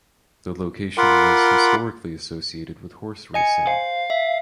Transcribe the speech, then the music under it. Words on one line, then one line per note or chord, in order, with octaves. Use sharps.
The location was historically associated with horse racing.
F4 A#4 F#5 B5 C6 D6
D#5 G#5 C#7
C5 F5
E5